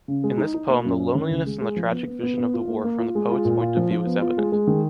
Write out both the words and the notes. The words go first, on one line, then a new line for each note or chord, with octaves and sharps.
In this poem the loneliness and the tragic vision of the war from the poet’s point of view is evident.
C#3
G#3
D#4
D#4
A#3
F#2
C#4
D#3
C#2
G#3
G#3
F3
B3
B3
B3
B3
F4
A#3
A#3
F4
G#3
F4
A#2
F4
F3
F3
B3
F4
G#3
G#3
D#3